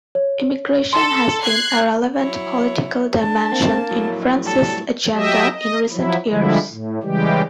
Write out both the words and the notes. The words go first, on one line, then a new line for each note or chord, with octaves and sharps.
Immigration has been a relevant political dimension in France's agenda in recent years.
C#5
A4 C6
F#6 G#6 C7
F#3 E4 C#5
D4 A5
A#3 C4
A2 F3 F#3 A3
G3 A4
F#3 G4 D#5 E5
D#5
F3 F#3 E4
D3 F3 G3 G#3 E4
A2
C#3 E3 G3 G#3 G4